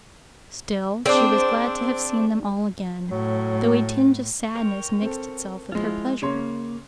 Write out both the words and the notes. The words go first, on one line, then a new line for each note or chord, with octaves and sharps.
Still she was glad to have seen them all again, though a tinge of sadness mixed itself with her pleasure.
C4 D4 G#4 C5 D5
A2 F#3
A#4 C#5 G5
C4 A4
F3 G#3 E4 F4
C#3 A#3 C#5 C6